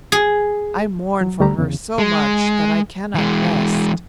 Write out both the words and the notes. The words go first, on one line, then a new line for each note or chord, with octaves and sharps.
I mourn for her so much that I cannot rest.
G#4
F#3
D2 G3 A3 G4 A#5
E2 C#3
G#3
E3 G#3